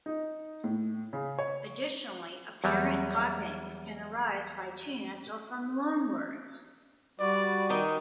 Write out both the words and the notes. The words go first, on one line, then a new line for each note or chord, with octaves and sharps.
Additionally, apparent cognates can arise by chance or from loan words.
D#4
A2
C#3
C#5
E2 F#3 G3
G3 F#4 B4 D5
D#3 D#4